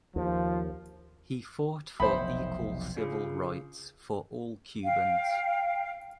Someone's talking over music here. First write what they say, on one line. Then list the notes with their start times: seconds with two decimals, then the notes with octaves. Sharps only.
He fought for equal civil rights for all Cubans.
0.16 D#2 F3
2.00 F1 B1 C5 E5 G5 B5 D#6
2.96 C#3 D4 F4 G#4
4.84 F5 G5